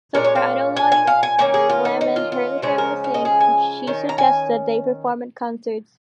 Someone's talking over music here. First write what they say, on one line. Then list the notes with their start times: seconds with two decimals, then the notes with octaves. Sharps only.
Soprano Lotte Lehmann heard the family sing, and she suggested they perform at concerts.
0.15 A#2 G#3 C#4 A#4
0.25 C#5
0.35 F5
0.77 G#5
0.92 G#5
1.07 F5
1.23 G#5
1.38 D#3 A#3 C#4 G#5
1.54 G#4
1.70 F4
1.85 D#4
2.01 D#4
2.16 F4
2.32 F4
2.62 C#3 F3 G#3 C#4 G#4
2.78 A#4
3.04 F5
3.14 D#5
3.25 G#4
3.40 G#5
3.87 D#3 C#4
4.09 A#5
4.18 G#5